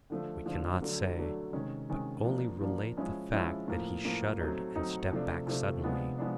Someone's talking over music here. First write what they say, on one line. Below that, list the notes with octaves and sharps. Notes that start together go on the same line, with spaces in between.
We cannot say; but only relate the fact that he shuddered and stepped back suddenly.
D3 F3 A3
D3 F3 A3
D3 F#3 A3 D4
D3 F#3 A3 D4
C3 D#3 G#3 C#4
C3 D#3 G#3 C#4
F3 A#3 D4
F3 A#3 D4
F3 G#3 C#4 E4
F3 G#3 C#4 E4
A2 F3 A#3
A2 F3 A#3
F#3 A3 C4 D#4
F#3 A3 C4 D#4
C3 F3 A3 D4
C3 F3 A3 D4
C3 F3 G#3 B3 D4
F3 G#3 B3 D4